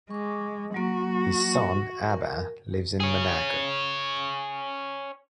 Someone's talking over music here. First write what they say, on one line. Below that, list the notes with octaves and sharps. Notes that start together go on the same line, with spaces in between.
His son, Abba, lives in Monaco.
G#3 C#6 D6
F#3 A#3 F#4
A#4
G#4 C#5